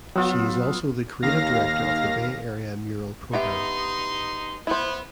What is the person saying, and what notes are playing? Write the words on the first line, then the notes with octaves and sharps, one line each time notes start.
She is also the creative director of the Bay Area Mural Program.
F#3 B3 F4 E6
D#2 F5 A#6
B3 D#4 G4 E5 C6
B3 E4 C5